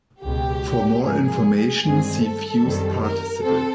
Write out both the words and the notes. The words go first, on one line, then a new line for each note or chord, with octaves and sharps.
For more information see fused participle.
C#2 B2 G#3 G4
G#2 F3 A#3 G#4
G2 D#3 G#3 C4 G#4
A4
F#2 D#3 G3 C4
A#4
C4 A4